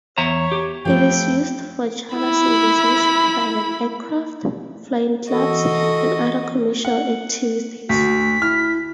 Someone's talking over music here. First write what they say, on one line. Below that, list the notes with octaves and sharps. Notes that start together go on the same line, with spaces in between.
It is used for charter services, private aircraft, flying clubs, and other commercial activities.
E2 C#5 E5 A#5
G4
F3 A3 E4 G5
E4 B5
E3 F#4 A4 D#5
F#5
D2 F#4 B6
E4 F6